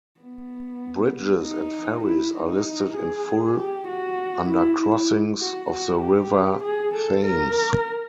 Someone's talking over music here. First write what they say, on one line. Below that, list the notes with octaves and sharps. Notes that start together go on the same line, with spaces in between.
Bridges and ferries are listed in full under Crossings of the River Thames.
B3
D#4
E4
D#4
G#4
G4
F#4
E4
E4
F#4
F#4
G4
G#4
A4
A#4